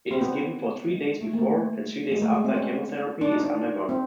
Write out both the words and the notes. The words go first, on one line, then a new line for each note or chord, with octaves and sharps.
It is given for three days before, and three days after chemotherapy is undergone.
C4
B3
G#3
A3
A#3
A3
G#3
A3
G#3
C4
C#4
D4
D#4
D4
C4